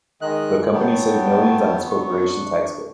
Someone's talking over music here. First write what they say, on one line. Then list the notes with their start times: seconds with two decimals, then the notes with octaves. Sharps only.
The company saved millions on its corporation tax bill.
0.22 D#3 G#3 D#5 F#6
0.73 F#3 B3 C#5 G5 A5
1.90 D4 C#6